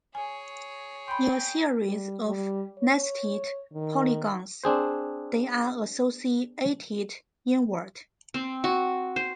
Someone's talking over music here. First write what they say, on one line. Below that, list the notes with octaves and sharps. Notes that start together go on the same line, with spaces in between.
In a series of nested polygons, they are associated inward.
G#4 C#5 G#5
G5 B5 C6
G3
G3
C#5
D#3
C4 D4 G#4 C5
C4
F#4
C5